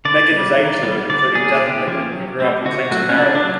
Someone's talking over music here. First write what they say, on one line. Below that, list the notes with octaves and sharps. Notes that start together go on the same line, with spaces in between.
Meggett has eight children, including Davin Meggett, who grew up in Clinton, Maryland.
D3 D5
G3 B3
D#3
G3 B3
D3 D5
G3 A#3 G#4
D3 G4
F3 A#3 C#4
F#3
A3 C4
D3 F#4
F#3 A3 F#4
C#4
C#3 D4
D4
F#3